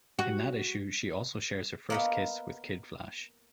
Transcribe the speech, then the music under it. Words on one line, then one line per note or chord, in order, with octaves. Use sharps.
In that issue she also shares her first kiss with Kid Flash.
F#4
A#3 B3 D#5